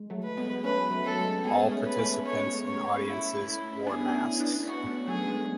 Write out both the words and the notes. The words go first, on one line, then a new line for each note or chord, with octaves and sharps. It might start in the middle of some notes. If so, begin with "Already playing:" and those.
All participants and audiences wore masks.
Already playing: G#3
F#3 A3
B4
G#3 B3
A3 C#4 B4
F#3 A3
A4
G#3
G#3 B3 G#4
A3 C#4
B4
A3 C#4
A3 C#4 C#5
C#5
E4
E4
B3 D4 G#4
C#4 E4
B3 D4
B3 D4 F#4
A3 C#4
F#3 A3 G#4
G#3 B3